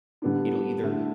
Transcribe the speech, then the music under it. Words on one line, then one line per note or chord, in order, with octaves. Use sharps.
it'll either
D3 G3 B3 D4
D3 A3 E4